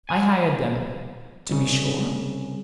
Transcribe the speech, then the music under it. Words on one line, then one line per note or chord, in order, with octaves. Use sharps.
I hired them, to be sure.
G#5
C2 C#3